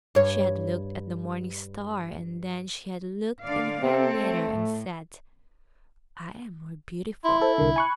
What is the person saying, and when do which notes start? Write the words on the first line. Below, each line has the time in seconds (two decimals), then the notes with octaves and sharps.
She had looked at the morning star, and then she had looked in her mirror and said, "I am more beautiful."
0.15 G2 C#5
3.44 D3 D5 F5
3.82 C3 C4 A4
4.22 A3
4.54 A2
7.24 E4 C6
7.41 A4 C5
7.58 C2 D3 A#4
7.76 G#5 B5 C#6 F#6